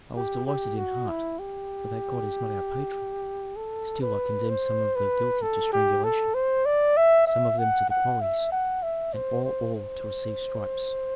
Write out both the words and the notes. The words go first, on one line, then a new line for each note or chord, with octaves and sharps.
I was delighted in heart, for that god is not our patron; still I condemned some of the guilty to strangulation, some of them to the quarries, and all to receive stripes.
G4
G4
F#4
E4
G4
A4
B4
C5
B4
A4
G4
A4
C5
D5
E5
E5
F#5
F#5
E5
F#5
E5
C5
C5
C5